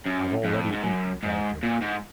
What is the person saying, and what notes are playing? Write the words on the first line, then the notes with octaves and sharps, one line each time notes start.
"I've already eaten, thank you."
F#2
F2
G#2
F#2
G#2
A#2
G#2